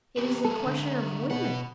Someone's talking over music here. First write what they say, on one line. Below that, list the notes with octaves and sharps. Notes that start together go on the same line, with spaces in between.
It is a question of women.
C4 G4 B4
G#3 A#3 A4
D3
B2 B3 F#5